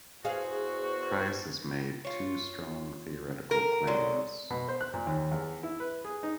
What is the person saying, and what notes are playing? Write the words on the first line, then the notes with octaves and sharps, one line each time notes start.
Price has made two strong theoretical claims.
E2 F#4 G#4 C5 F5
F4 C#5
A#4
D3 F#3 G#3
B2
C5
F#6
A#2
D#2
E2
E4
B4
G#4
D#4